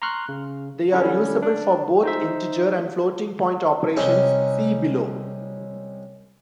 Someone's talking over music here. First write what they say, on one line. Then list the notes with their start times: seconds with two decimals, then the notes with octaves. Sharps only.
They are usable for both integer and floating point operations, see below.
0.02 A#5 C6 C#6 F6 F#6
0.29 C#3
0.92 D3 G3 C#4 D4 E4
1.42 D4
2.03 D#4 C5 E5
3.97 C2 C#4 D#4